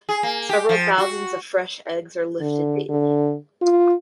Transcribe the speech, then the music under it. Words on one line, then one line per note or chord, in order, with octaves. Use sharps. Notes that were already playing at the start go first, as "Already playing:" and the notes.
Several thousands of fresh eggs are lifted daily.
G#4
A#3
G4
F3
F#4
D3
D3
F4